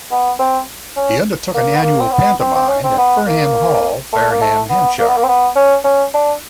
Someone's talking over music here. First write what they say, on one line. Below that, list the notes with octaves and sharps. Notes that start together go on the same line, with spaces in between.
He undertook an annual pantomime at Fernham Hall, Fareham, Hampshire.
B3
C4
C#4
A#3
B3
A#3
C4
B3
C4
C4
C#4
C4
B3
A#3
A3
A#3
A3
B3
A#3
B3
A#3
C4
B3
C#4
C#4
D4